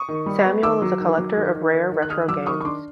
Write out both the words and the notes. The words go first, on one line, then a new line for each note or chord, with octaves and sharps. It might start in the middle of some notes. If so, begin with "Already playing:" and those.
Samuel is a collector of rare retro games.
Already playing: C#6 D#6
D#3
G3
B3
D#3 D6 E6
F#3
D#3
F#3
D#3
D#3
D#3
D#3
F#6
D#3 D#6 F6
F#3 D6 E6
D#3 C#6 D#6
C#6
D4 C6 D6